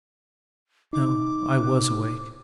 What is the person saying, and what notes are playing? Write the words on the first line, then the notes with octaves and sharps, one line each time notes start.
"No--I was awake."
D#4 D6